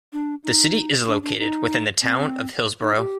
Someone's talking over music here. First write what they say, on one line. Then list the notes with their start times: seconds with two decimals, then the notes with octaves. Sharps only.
The city is located within the Town of Hillsboro.
0.13 D4
0.44 D#4
1.07 D4
1.23 D4
1.39 D#4
2.02 C4
2.81 D#4
2.97 G4